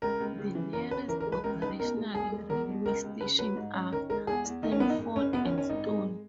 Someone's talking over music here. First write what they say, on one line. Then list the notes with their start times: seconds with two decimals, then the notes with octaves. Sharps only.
The nearest operational railway stations are Stafford and Stone.
0.02 C#2 A#4
0.20 C#2
0.38 C#3
0.55 E3
0.73 F#2 A#4
0.91 C#4 B4
1.08 E3 A#4
1.20 A#4
1.27 G#3
1.32 B4
1.44 C#2 A#4
1.62 D#4 B4
1.80 B2 A#4
1.97 G#3
2.14 E1 G#4
2.32 G#3
2.50 E2 A#4
2.68 B2
2.86 C#2 A#4
3.04 C#2
3.21 C#3 B4
3.39 F#3 B4
3.57 G#2
3.74 C#4
3.92 D#3 A#4
4.09 G#3 A#4
4.27 E2 G#4
4.45 E2
4.62 D#3 D#4
4.72 C#4
4.80 A#3 B3
4.90 D#4
4.98 F#1
5.16 F#1 C#4
5.33 F#2 B3
5.45 C#4
5.51 D#3
5.58 C#4
5.69 G#1 D#4
5.87 G#3